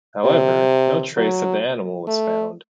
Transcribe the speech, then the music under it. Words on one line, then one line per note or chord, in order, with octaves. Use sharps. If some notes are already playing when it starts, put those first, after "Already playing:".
However, no trace of the animal was found.
C3
F#3
A3